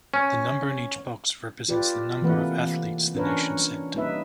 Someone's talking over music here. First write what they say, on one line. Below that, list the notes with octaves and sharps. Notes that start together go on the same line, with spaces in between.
The number in each box represents the number of athletes the nation sent.
C#4
F4 G4 B4 D5
C3 E3 A3 A#3 B4 F#5
C#4 D4 A#4 B4 C#5
G3 A#3 D#4 B4 E5